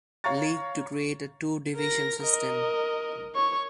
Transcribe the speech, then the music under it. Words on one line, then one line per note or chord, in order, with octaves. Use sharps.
League to create a two-division system.
C#5 F5 A#5 C#6 A6
A#4 A#6
A#4 D#5
C#5 C#6